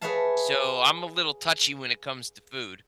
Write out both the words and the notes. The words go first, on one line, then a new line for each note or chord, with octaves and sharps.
so I'm a little touchy when it comes to food.
G#4 B4 C#5 E5 F5 A5